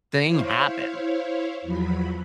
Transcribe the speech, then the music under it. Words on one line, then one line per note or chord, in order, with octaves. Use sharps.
thing happen.
E4 C5 C#5 F5
E2 F3 F#3 B5